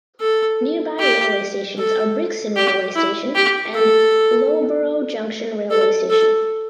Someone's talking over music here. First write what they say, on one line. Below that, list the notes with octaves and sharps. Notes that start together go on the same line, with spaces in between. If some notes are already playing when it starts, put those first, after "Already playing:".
Nearby railway stations are Brixton railway station and Loughborough Junction railway station.
A4
G4
A4
G4
E4
G4
A4
A4
A4